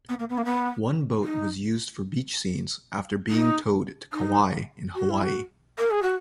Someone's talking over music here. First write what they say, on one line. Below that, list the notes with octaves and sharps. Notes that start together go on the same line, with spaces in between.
One boat was used for beach scenes after being towed to Kauai in Hawaii.
B3
A#3
B3
A#3
B3
D#4
D#4
D#4
F#4
E4
F#4
A#4
G#4
F#4